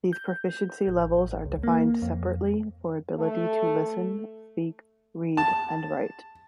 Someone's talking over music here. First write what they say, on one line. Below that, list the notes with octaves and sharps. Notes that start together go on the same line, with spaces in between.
These proficiency levels are defined separately for ability to listen, speak, read and write.
G6
A1
C#2
A#3
F2
A3
A5